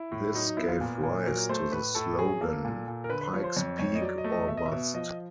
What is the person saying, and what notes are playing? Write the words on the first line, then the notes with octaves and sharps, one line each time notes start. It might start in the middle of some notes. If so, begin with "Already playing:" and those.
This gave rise to the slogan, Pike's Peak or Bust.
Already playing: E4
A2
F#3 D#4
D#4
B3 E4
F4
A#2
A#2
F#3 A#4
A3 C5
A2 B4
A2 A4
F#3 G#4
A#3 A4
A#2
A#2
A#4
D3 B4
B4
F3 C#5
C5
F2 C#5
F2 C#5
D#5
F#3 D5
D#5
A3
D#5
B2 E5
D#5
E5
B2
F3 D#5